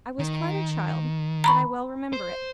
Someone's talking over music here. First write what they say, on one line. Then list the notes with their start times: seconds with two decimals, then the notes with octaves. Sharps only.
I was quite a child, but I well remember it.
0.19 D#3
1.44 A#5 B5 C#6
2.13 C5